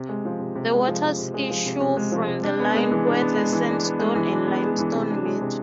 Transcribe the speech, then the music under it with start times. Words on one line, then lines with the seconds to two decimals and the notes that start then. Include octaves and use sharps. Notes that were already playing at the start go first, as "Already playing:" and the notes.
The waters issue from the line where the sandstone and limestone meet.
Already playing: C3
0.09 G#3
0.25 F3
0.40 C3
0.56 C3
0.71 G#3
0.88 F3
1.03 C3
1.18 C3
1.34 G#3
1.50 F3
1.66 C3
1.81 C3
1.97 G#3
2.12 F3
2.27 C3
2.43 D4
2.60 B3
2.75 G#3
2.91 E3
3.07 D4
3.21 B3
3.37 G#3
3.53 E3
3.69 D4
3.84 B3
3.99 G#3
4.15 E3
4.32 D4
4.47 B3
4.63 G#3
4.78 E3
4.94 C3
5.10 D4
5.25 G#3
5.41 C3